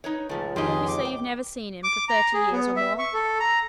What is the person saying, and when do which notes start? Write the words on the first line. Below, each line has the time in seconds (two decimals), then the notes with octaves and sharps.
You say you've never seen him for thirty years, or more?
0.04 D#4 B4 C#5
0.29 C#2 A#2 F3 A3
0.56 F2 D#3 D#4 G4 G#4 D#5 C6
0.88 D6
1.05 G5
1.84 D6
2.09 A#5
2.33 G#4
2.52 B3
2.76 E5
2.99 C#6
3.14 A4
3.40 A#5